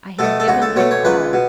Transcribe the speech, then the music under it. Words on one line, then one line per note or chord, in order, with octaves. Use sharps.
I had given him all.
B2 A3 A4
A4
C#2 F#4
A4
B2 A3 C#5
C#5
C#2 B4
B2